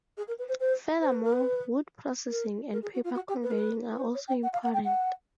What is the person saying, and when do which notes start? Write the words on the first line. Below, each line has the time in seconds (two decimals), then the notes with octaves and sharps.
Furthermore, wood processing and paper converting are also important.
0.17 G#4
0.28 A#4
0.39 B4
0.48 C5
0.60 C5
1.02 C5
1.12 B4
1.23 A#4
1.32 B4
2.30 A#4
2.72 A#4
2.82 G#4
2.94 F#4
3.04 F4
3.15 F#4
3.28 G4
3.43 B4
3.50 A#4
3.58 B4
3.92 B4
4.00 C5
4.14 C#5
4.28 G5
4.43 F#5
4.53 F5
4.64 F#5
4.74 G5
4.84 F#5